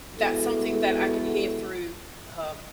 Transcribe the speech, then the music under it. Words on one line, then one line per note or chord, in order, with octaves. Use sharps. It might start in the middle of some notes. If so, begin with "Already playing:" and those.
that's something that I can hear through, um,
G#3 B3 E4 F#4 A4